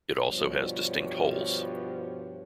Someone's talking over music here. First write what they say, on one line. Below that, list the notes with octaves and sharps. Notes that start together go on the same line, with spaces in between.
It also has distinct holes.
G2 B2 F3 G3 C5 C#5